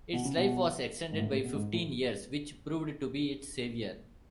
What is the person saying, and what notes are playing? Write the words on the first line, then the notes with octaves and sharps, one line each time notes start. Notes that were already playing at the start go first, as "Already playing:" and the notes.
Its life was extended by fifteen years, which proved to be its saviour.
B2
C#3
B2
G#2
A2
A2
B2
G#2
A2